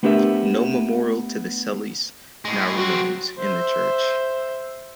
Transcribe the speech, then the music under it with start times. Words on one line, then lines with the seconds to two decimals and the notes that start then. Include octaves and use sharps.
No memorial to the Celys now remains in the church.
0.03 A3 B3 D4 G4 A#4 E5
2.45 A2 G#3
2.77 F#3 C4 F#4
3.38 C5 E5